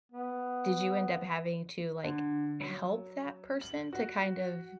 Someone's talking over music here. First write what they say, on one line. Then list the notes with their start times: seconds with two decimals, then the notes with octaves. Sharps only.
did you end up having to, like, help that person to kind of
0.12 B3
2.04 D3
2.60 F#3
3.61 F#7
3.93 F#4